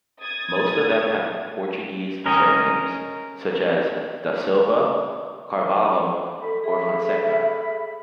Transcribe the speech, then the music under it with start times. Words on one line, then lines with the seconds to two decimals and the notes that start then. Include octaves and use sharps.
Most of them have Portuguese surnames, such as "da Silva", "Carvalho" or "Fonseca".
0.23 D#6 G#6 A6
2.26 C#4 A#4 D#5
6.42 A4 B5
6.64 G#4 A4 E5